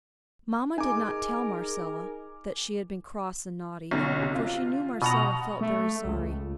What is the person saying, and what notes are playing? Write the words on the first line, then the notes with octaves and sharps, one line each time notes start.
Mamma did not tell Marcella that she had been cross and naughty for she knew Marcella felt very sorry.
D#4 G#4 A#4 G#5 D6
B1 D3 C#4
C3
F4
B2 F#5 A#5 D#6
A3
C#2
C#2